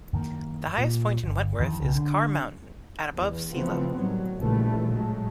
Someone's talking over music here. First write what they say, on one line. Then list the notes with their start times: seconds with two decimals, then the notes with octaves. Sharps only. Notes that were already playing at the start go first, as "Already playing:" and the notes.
The highest point in Wentworth is Carr Mountain, at above sea level.
0.13 F#2 D#3 A#3
0.78 A#2
1.24 G1
1.59 F2 D#3 E3
1.81 B1 C#3
1.95 D3
3.13 E2
3.51 C#3 E3 F3 A3 B3 C4
3.96 A2 D#3 F#3 G3
4.39 A#1 A#2 C#3 E3 G3 A3
4.91 A2 F#3 G#3 A3